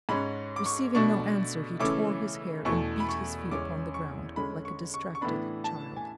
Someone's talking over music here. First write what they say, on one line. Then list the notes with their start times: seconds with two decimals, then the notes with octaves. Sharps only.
Receiving no answer, he tore his hair, and beat his feet upon the ground, like a distracted child.
0.09 G#2 G#3 C#4 B5
0.56 D6
0.66 C#6
0.95 B2 A3 D4 C#6
1.80 C#3 E3 A3 C#4 D6
2.65 E2 B2 A3 C#6
3.00 B5
3.09 C#6
3.51 E2 C#3 G#3 C#4 D6
3.94 C#6
4.36 D3 G#3 C#4 B5
4.65 C#6
4.94 C#6
5.15 C#6
5.21 A2 E3 B3 D4 B5
5.64 A5
5.97 G#5